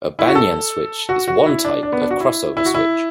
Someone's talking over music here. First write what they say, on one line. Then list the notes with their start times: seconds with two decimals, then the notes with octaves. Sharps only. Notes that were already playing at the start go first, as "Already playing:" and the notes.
A banyan switch is one type of cross-over switch.
0.19 E4
0.28 F#4
0.35 A4
1.09 F#4
1.28 F#4
1.46 E4
1.65 D4
1.83 D4
1.93 B3
2.02 D4
2.11 F#4
2.20 E4
2.57 E4
2.66 F#4
2.74 E4